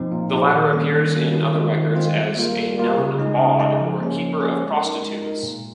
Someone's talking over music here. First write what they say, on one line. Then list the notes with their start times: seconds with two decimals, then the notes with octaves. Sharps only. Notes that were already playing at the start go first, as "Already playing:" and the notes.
The latter appears in other records as a known "bawd", or keeper of prostitutes.
Already playing: A#2 F3 C4 D#4
0.12 A#2
0.33 F3 C4 D#4
0.53 D#3
0.73 G3 A#3 C#4
0.93 D#3
1.14 G3 A#3 C#4
1.34 D#3
1.55 G#3 C4 F4
1.75 D#3
1.96 G#3 C4 F4
2.16 G3
2.37 A#3 F4 A#4
2.57 G3
2.78 A#3 F4 A#4
2.98 C#3
3.18 G#3 D#4 G#4
3.39 C#3
3.59 G#3 D#4 G#4
3.80 F3
4.00 A#3 C#4
4.20 F3
4.41 A#3 C#4
4.62 G#3
4.82 D#4 A#4
5.02 G#3
5.23 D#4 A#4
5.43 A#2